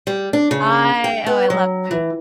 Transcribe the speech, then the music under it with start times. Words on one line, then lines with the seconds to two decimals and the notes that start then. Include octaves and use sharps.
I Oh, I love food.
0.07 G3
0.33 D4
0.51 C#3
1.04 G5
1.26 B3
1.50 F#3
1.91 E3